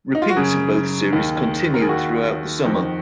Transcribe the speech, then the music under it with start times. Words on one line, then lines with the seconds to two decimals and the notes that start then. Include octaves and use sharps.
Repeats of both series continued throughout the summer.
0.15 D#4
0.22 F4
0.29 F#4
0.36 F#2 C#3 G#4
1.13 D#2 D#3
1.74 A#4
1.81 G#4
1.89 D#2 D#3 F#4
2.65 F2 D#3